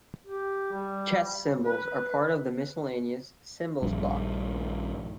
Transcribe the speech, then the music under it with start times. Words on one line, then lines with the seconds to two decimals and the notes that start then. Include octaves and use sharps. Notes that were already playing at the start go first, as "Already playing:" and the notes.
Chess symbols are part of the Miscellaneous Symbols block.
0.26 G4
0.72 G3
1.64 B4
3.82 A#1 G2